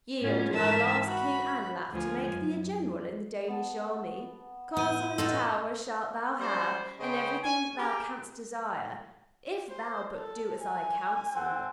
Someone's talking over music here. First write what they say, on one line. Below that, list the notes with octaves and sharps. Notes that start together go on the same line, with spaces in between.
"Yield, and I will ask King Anlaf to make thee a general in the Danish army. Castle and tower shalt thou have, and everything that thou canst desire, if thou but do as I counsel thee."
A2 B3 C#4 F4
G#2 E3 A#4 E5 A5 E6
F#4 B5
D2 F3 G#5
F#2
B3 A5
A2 B3 G6 D#7 G7
F4 B5
A2 B3 D#4 A4 C5 D#5 E6 A6
G3 C#4 F#4 C5
C#3 B3 C5 D#5 G5
C#4 G#5
G4 G#4 A#4
C5
A4
G#5
C4 A4 F#5